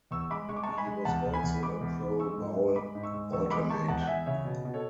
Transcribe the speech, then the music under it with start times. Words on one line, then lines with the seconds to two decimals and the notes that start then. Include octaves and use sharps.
He was also a Pro Bowl alternate.
0.11 E2 C#6 E6
0.30 G#3 B5 D6
0.49 G#3 C#6
0.56 D6
0.63 G#3 A5 C#6
0.77 G#5 B5
0.87 G#3
1.05 E2 F#5 A5
1.25 E2
1.34 G#5 B5
1.43 E2
1.63 G#3 B5 D6
1.81 E2
2.01 E2
2.19 G#3 C#6 E6
2.38 G#2
2.56 G#3
2.75 G#3 B5 D6
2.95 G#2
3.03 C#6 E6
3.13 G#3
3.32 E2 C#6 E6
3.51 G#3 B5 D6
3.70 G#3 A5 C#6
3.88 E2 F#5 A5
4.01 F#5
4.07 E2 E5 G#5
4.26 C#3 C#5 E5
4.45 B2
4.65 B2
4.74 A4 C#5